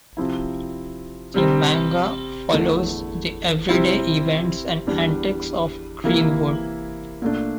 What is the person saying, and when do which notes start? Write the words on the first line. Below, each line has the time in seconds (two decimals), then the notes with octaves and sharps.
The manga follows the everyday events and antics of Greenwood.
0.17 C3 F3 C4 E4
1.34 C3 G3 C4
2.52 E2 D3 A3 E4
3.69 C3 G3 C4 E4
4.87 E2 E3 G3 D4
6.04 C3 E3 A#3 E4
7.22 A#2 A3 D4